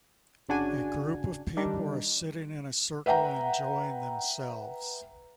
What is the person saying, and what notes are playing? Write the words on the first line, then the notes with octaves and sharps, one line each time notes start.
A group of people are sitting in a circle enjoying themselves.
G1 C#3 D4 F#4 G#5
D#3 G3 D4 D#4
B4 E5 F#5 G5 A#5